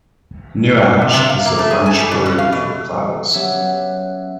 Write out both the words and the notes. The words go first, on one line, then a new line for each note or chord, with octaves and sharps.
"Nuages" is the French word for "clouds".
C3
C3
F5
A#3
A3
G#4
G#5
G3
B2
C#4
F5
B2
F#3 B3 C#4 G4 E5 F#5